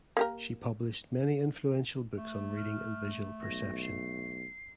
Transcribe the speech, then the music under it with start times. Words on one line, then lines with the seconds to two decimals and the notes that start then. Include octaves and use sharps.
She published many influential books on reading and visual perception.
0.17 A#3 G4 A#4
2.18 A3
2.57 F6
3.43 B1 A#6
3.82 C7